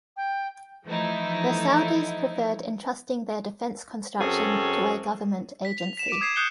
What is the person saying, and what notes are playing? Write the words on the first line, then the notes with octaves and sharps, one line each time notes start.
The Saudis preferred entrusting their defence construction to a government agency.
G5
E3 F3 A3 D#4 E4
F#2 F#3 C4 G#4 A4 C#5
B6
F7
B6 E7
D6 B6 D7 D#7
D#6 G#6 B6 C7 E7
D#6 F#6 G6 C7 C#7 G7